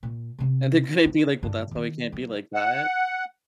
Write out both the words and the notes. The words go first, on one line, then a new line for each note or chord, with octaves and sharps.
And they're gonna be like, "Well, that's why we can't be like that."
A#2
C3 C4
C4
G2 D3
D#3 D#4
D3 F#3
F#5